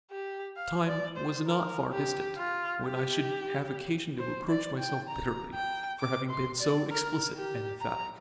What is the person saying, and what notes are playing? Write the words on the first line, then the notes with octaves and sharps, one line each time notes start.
But the time was not far distant when I should have occasion to reproach myself bitterly for having been so explicit and emphatic.
G4
F5
D5
C5
A#4
G4
F4
G4
C5
D5
G5
A#5
G5
D6
C6
D5
A#4
G4
A#5